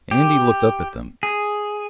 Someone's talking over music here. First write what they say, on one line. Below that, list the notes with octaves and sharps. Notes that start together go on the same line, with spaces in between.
Andy looked up at them.
G4
G#4